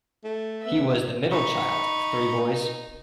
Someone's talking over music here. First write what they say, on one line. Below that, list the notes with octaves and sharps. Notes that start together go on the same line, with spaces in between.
He was the middle child of three boys.
A3
B3 E5
D#4 B5 C#6